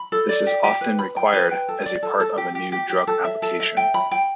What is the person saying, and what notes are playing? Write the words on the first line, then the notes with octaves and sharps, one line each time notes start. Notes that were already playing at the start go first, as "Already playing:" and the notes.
This is often required as a part of a new drug application.
Already playing: B5
A4
D5
G4
G4
B4
B5
G5
B4
G5
A4
D5
A4
A4
G4
G4
G4
G4
A4
E5
A4
E5
G5
B5
G5